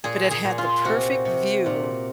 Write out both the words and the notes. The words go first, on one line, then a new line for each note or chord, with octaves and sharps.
but it had the perfect view
A#2 G#4
G#4
A#2
F4
C3 F#4
C3
A#2